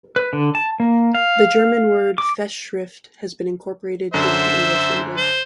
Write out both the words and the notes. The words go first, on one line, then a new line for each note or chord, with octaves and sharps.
The German word "Festschrift" has been incorporated into the English language.
B4
D3
A5
A#3
F5
D6
F#2 D3 C5 E5
C5